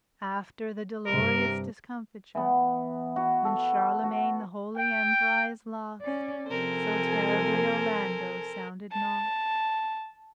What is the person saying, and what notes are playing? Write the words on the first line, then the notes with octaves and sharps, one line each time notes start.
After the dolorous discomfiture When Charlemagne the holy emprise lost, So terribly Orlando sounded not.
G2 C3 A#4
E3 B3
F#4
A4
F#4
G5
C#4 D5
C3 F3 A4 A#4 C5 G#5
A5